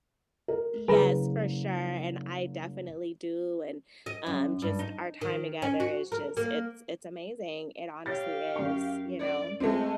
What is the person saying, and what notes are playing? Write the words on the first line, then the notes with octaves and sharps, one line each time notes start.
yes, for sure, and I definitely do, and, um, just our time together is just it's it's amazing, it honestly is, you know?
A#4
F#1 G#4 B4 A#5
D#5
F#2
G2
D#4
D#3
C#4
F#4
A#4
A#3
G4 C#5 F5 A6
F#2 C#6
D5
G#3 A3 C4 D#5